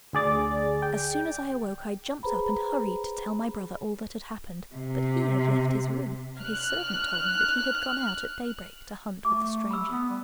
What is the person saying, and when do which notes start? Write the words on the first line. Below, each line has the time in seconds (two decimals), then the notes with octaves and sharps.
As soon as I awoke I jumped up, and hurried to tell my brother all that had happened, but he had left his room, and his servant told me that he had gone out at daybreak to hunt with the stranger.
0.13 D2 G#4 D5 A6
0.82 G5
2.23 G#4 B4 C5 A#5 B5
4.73 C3
6.41 F6 F#6
9.25 A3 D6
9.71 B5 E6
9.90 B3
10.10 G3